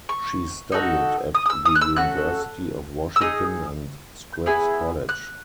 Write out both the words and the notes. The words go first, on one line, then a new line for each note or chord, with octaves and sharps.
She studied at the University of Washington and Scripps College.
C#6
D#4 F#4 A4
D#6
D#6
E6
D#6
F#6
E6
A3 C#4 F#4 A4 F#6
E6
D#4 G#4 D#6
B3 E4 G#4
F#6